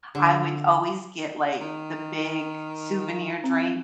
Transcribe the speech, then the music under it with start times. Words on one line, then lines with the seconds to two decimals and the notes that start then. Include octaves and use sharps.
I would always get, like, the big souvenir drink,
0.15 D3
1.61 D#3
3.44 C4